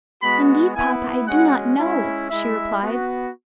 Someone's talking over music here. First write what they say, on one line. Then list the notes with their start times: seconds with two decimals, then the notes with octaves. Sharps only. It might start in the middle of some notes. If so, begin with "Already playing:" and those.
"Indeed, papa, I do not know," she replied.
0.22 G#3 B3 F#4 B5
0.74 B3 E4 G#5
1.26 G#3 C#4 F#4 F#5
1.77 G#3 C#4 E4
2.29 G#3 E4 E5
2.80 B3 F#4